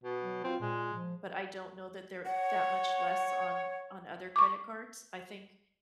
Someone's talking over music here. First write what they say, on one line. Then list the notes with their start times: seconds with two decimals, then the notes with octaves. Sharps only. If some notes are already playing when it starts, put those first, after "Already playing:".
but I don't know that they're that much less on on other credit cards. I think,
0.04 B2
0.20 F#3
0.44 C4 F4
0.60 A#2 G#3
0.93 F3
2.25 C#5 F#5
4.36 C#6 D6